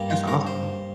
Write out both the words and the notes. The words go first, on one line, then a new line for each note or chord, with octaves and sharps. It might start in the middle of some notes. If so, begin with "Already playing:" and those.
That's awesome.
Already playing: G2 G3 A#3
F4
A#4
C5